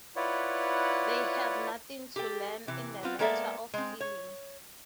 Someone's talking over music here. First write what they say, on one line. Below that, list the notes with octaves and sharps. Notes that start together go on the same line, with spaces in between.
They have nothing to learn in the matter of feeling.
E4 F4 B4 C#5 D5 F#5
G4 A4 G5
C3 E3
B3 C4 F4
G#3 A#3 B3 A4 D5 E5
G#3 C4
C#5